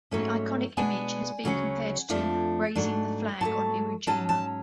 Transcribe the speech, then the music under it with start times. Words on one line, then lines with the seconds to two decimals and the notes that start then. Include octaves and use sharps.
The iconic image has been compared to "Raising the Flag on Iwo Jima".
0.11 G#2 F#3 A3 C#4
0.77 B2 G#3 B3 D4 G#5
1.44 D2 C#3 F#3 C#4
2.09 F2 F3 A3 D4
2.75 G#2 F#3 A3 D4
3.40 G#2 F#3 A3 A5
4.07 G#2 F#3 C#4 A5
4.29 A5